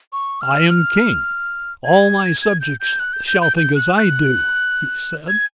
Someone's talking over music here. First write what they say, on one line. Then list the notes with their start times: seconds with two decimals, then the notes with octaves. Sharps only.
'I am king; all my subjects shall think as I do,' he said.
0.13 C#6
0.41 F6
0.69 F6
1.85 G#6
2.42 G#6
2.61 G6
2.80 G6
2.99 F#6
3.13 G6
3.27 G6
3.42 G6
3.57 G6
3.75 F#6
3.95 F#6
5.28 G#6